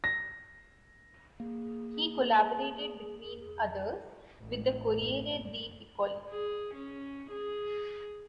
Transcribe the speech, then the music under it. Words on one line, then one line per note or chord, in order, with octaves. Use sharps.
He collaborated, between others, with the Corriere dei Piccoli.
A#6
A#3 G#4
A1 A2
G#4
C#4
G#4